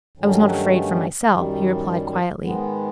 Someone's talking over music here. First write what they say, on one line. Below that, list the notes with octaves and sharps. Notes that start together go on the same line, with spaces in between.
"I was not afraid for myself," he replied quietly.
G2 D#3 F#3 A3 C#4
F#2 D#3 G3
G#2 D#3 G#3 B3